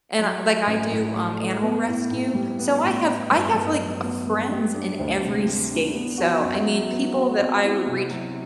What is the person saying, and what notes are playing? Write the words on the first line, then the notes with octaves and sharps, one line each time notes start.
And I like I do, um, animal rescue. So I have I have like uh, friends in every state. So I mean people that I would reach
F#3
A3
A1
A2
F#3
A3
B3
A2
A2
G3
B3
A2
B3
G2
G2
F#3
B3
G2
G3
D4
D2
C3
G3
D4
B3
F#4
F#2
F#3
B3
F#4
C4
E4
C3
F#3